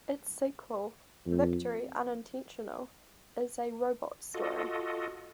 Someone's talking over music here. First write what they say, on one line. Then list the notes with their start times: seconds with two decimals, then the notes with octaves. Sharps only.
Its sequel, "Victory Unintentional", is a robot story.
1.26 F2
4.34 F4 F#4 A4 D#5